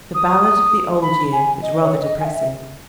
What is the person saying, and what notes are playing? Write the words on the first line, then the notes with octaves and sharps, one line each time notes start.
The Ballad of the Old Year is rather depressing.
D#6
B5
G#5
D#5
C#5
D#5
G#5
E5